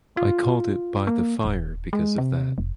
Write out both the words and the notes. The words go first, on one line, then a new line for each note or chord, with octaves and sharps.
I called it "By the Fire" because of that.
F4
A#3
D#1
G#3
C3
F1